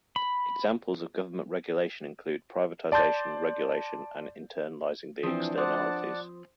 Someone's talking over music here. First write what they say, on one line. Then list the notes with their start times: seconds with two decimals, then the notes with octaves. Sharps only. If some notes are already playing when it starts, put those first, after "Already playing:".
Examples of government regulation include privatization, regulation, and internalizing the externalities.
0.16 B5
2.92 D5 A5 C6 G6 A6
5.23 E3 F3 C4 D4 D#6
5.57 C5 D5 F#5 A5 C6 D#6